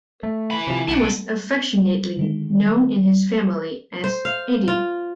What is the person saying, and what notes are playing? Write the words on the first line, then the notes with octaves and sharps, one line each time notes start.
He was affectionately known in his family as 'Edi'.
A3
E3 B5
C3 F3
B1 F#5 A5
D3 D#3 G#3
C5
F5
F4